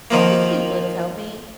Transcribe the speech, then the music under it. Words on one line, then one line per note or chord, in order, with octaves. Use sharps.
I think he would tell me.
D#3 F3 A#3